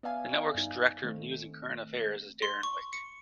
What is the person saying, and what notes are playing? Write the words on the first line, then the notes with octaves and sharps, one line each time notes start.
The network's Director of News and Current Affairs is Darren Wick.
B3 D5 E5 F5 G#5
G2 D#4
D#3 A3 C4
C6
C#6
C#7